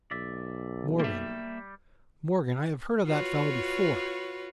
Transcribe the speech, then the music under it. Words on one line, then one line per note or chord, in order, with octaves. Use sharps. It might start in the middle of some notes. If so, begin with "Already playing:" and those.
Morgan--Morgan, I have heard of that fellow before.
B1 D5 E5
G3 A#3 E5
F4 F#4 B4 C#5